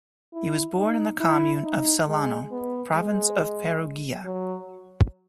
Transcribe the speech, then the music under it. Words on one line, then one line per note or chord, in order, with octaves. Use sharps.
He was born in the comune of Sellano, province of Perugia.
E4
D#4
E4
D#4
G#3
B3
G#3
F#3